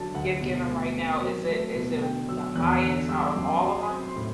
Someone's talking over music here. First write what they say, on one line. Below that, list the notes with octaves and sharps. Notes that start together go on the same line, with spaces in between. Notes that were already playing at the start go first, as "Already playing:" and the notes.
give given right now, is it is it the highest out of all of 'em?
Already playing: D3 F#3 A5
D2 F#5
B2
A3
C4
F#3
A3
B2
D3 G5
F#3 E6
E2 F#6
E6
D3 F#6
G3 E6
D6
F#2 C6
F#3 C6
B5
C4
C6
A2